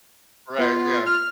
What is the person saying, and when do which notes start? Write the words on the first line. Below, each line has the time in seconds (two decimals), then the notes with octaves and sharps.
Right, yeah.
0.58 B3 F4
1.06 F6